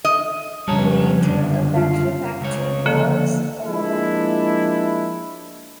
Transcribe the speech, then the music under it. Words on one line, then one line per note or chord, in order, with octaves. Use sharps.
Later a battery factory was opened.
D#5
F2 C#3 F3 G3 C#5 A5 A#5
F#2 D3
F4 F5
C#2 C#5
D3 F3 A#3 A4
F3 G#3 A#3 D4 E4